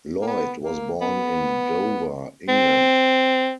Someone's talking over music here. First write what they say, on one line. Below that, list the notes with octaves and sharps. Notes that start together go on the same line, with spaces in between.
Lloyd was born in Dover, England.
A#3
B3
A#3
B3
C4